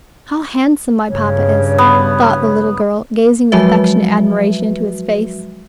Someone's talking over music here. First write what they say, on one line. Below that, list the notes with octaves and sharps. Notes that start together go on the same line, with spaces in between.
"How handsome my papa is!" thought the little girl, gazing with affectionate admiration into his face.
G2 C#3 C#5
B3
F3 F#3 G#3 F#4 B4 E5